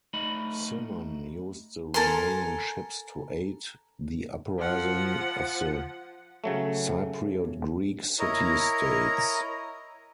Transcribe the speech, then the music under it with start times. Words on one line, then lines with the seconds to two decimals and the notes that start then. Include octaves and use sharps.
Cimon used the remaining ships to aid the uprising of the Cypriot Greek city-states.
0.14 A3 D#4 D#5 B5
1.94 A4 A#4 G#5 C6
4.59 F3 F#5
6.44 C#3 F#3 A3
8.19 E4 A#4 C#5 D#5 A#5